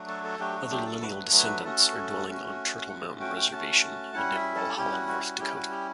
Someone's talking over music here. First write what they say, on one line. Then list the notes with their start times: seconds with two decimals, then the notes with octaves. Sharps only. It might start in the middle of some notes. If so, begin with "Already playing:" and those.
Other lineal descendants are dwelling on Turtle Mountain Reservation and in Walhalla, North Dakota.
Already playing: F#3 A3 D4 F#4
0.08 A4
0.24 A4
0.39 F#3 A3 D4 F#4 G4
0.55 F#4
0.71 G4
0.86 A4
1.02 F#3 A3 D4 F#4 B4
1.33 B4
1.64 A3 C#4 F#4 A4
2.27 A3 C#4 F#4
2.89 A3 C#4 F#4 F#5
3.21 G5
3.36 G5
3.52 A3 C#4 F#4 A5
4.14 G3 C#4 E4 F#5
4.35 E5
4.56 A4
4.77 G3 C#4 E4 G4
4.92 F#4
5.08 F#4
5.24 F#4
5.39 G3 C#4 E4 G4
5.55 F#4
5.71 G4